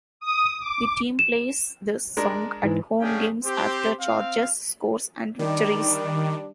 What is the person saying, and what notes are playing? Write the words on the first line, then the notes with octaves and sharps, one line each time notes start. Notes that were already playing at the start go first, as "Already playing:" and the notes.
The team plays this song at home games after Chargers scores and victories.
D#6
D6
E7
G#3 D4 A#4
G#2 E3
A3 C#4 D4 G#4 F5 G5
C4 G4 C5
C4 F5
D#3 G3 D4